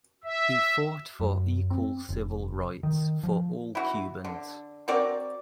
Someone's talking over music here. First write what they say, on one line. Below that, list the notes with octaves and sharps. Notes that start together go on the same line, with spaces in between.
He fought for equal civil rights for all Cubans.
E5
F#2
C4
F1
D#3
F3
E4 F#4
D3
C4 F#4 A#4 D5